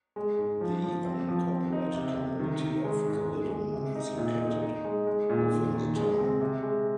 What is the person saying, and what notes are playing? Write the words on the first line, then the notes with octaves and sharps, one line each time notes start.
The unincorporated community of Glidden is located within the town.
G#3
G#2
F3
F3
C4
F3
C4
D#4
C3
C3
D#3
D#3
G#3
G#2
G#3
G#3
C3
D#4
A#2
D#4
D#4
G#3
G#3
A#2
D#3
D#3
G#3
C4
C3
G#3